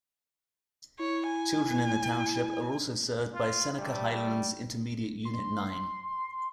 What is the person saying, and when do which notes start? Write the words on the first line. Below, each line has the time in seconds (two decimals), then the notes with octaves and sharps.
Children in the township are also served by Seneca Highlands Intermediate Unit Nine.
0.99 E4 C#5
1.28 G#5
3.35 F4
3.78 G3 A3
5.25 C6